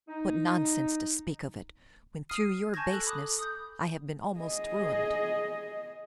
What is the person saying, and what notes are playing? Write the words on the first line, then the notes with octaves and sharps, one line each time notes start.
What nonsense to speak of it, when through your baseness I have been almost ruined.
D#4
D#6 F6 C7 D#7
G#5 A5 C#6 G6 G#6 A#6
A4 F#6 F#7
B5 D6 D#6 F#6
D#6 G6
G#4 D#5